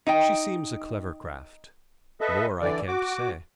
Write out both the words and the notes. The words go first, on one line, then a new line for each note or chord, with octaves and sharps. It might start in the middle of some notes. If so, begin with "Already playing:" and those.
"She seems a clever craft; more I can't say."
D#4 D#5 G5
A4 B4 D#5 E5
D3 E3 D5
F#4 D6